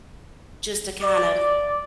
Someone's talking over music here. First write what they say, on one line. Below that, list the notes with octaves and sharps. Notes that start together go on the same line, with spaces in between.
just to kind of
D5